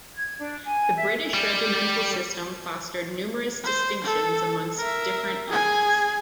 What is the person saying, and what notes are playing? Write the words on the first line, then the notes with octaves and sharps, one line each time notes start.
The British regimental system fostered numerous distinctions amongst different units.
G#6
D4
G#5
E5
G3
C5
A4
A#4 E5
G#4 G#5